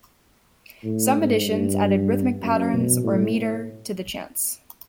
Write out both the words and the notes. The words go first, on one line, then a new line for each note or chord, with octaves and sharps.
Some editions added rhythmic patterns, or meter, to the chants.
A2
G#2
G2
F#2
B2
A2